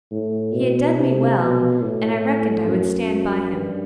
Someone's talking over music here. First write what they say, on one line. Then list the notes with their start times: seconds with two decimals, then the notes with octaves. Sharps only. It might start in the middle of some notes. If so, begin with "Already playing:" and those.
He had done me well, and I reckoned I would stand by him.
0.11 A2
0.53 B2
0.95 C3
1.39 B2
1.82 A2
2.67 F#2
3.53 G2